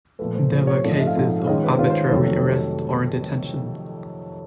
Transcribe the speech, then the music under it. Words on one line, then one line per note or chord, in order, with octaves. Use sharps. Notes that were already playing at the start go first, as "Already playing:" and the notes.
There were cases of arbitrary arrest or detention.
A#2 F3 A3 B4
C5
A#2 F3 A3 C5
C#5
G#2 F3 A3 C4 D5
D#5
E5
F5
G#2 F3 A3 C4
D#3 G#3 C#4 F4 D#5
B4
C5
D#3 G#3 C#4 F4 B4
C5
F2 C3 D#3 F#3 A3 C#5
C#5